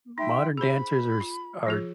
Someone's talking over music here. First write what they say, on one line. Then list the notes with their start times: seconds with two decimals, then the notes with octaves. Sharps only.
modern dancers are s are
0.18 D#4 E5 G5 C6
0.57 G#4 C5 B5
1.21 F4
1.66 F3 F4 G#4